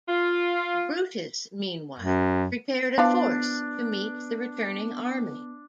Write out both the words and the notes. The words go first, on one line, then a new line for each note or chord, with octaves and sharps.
Brutus, meanwhile, prepared a force to meet the returning army.
F4
F#2
E3 F3 B3 D4 B4 F5